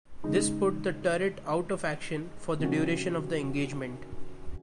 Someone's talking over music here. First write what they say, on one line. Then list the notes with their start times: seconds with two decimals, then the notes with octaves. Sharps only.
This put the turret out of action for the duration of the engagement.
0.23 C#3 G#3 D#4
2.60 C3 D#3 F#3 C#4 F#4